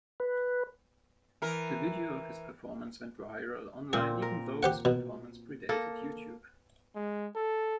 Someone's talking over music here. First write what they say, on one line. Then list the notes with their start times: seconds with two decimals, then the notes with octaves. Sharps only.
The video of his performance went viral online even though his performance predated YouTube.
0.20 B4
1.42 E3 A#4
3.93 A#2 C4 G#4
4.22 A#4
4.63 G4 C5 F#5
4.85 B2
5.69 A#3 A4
6.96 G#3
7.35 A4